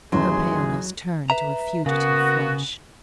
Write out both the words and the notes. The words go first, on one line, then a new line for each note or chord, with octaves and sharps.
Her paleness turned to a fugitive flush.
A1 D#2 E3 F#3 G#4 C6
B4 E5 A#5
C#3 A#3 B3 F#4